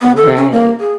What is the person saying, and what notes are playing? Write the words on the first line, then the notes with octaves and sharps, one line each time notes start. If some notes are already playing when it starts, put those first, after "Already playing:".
Oh, right.
B3
A4
C#4
A#3
G#4